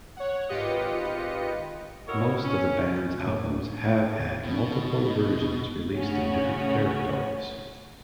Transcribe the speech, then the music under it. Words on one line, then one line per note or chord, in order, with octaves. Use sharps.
Most of the band's albums have had multiple versions released in different territories.
C#5 F#5
G#1 F4 G4 B4 D#5 C#7
E4 F#4 A4 A#4 C#5 D#5
C#4
A2 F#3 G#3 A#3
B2
A2 C#3 C#4 F#4